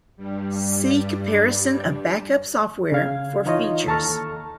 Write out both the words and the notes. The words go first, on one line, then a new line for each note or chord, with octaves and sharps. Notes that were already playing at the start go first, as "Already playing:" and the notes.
See Comparison of backup software for features.
G2 G3
C#3 F5 G#6
E3 D#4 F4 C#5 D#5
D#2 A4 A5 A#5 C#6 F6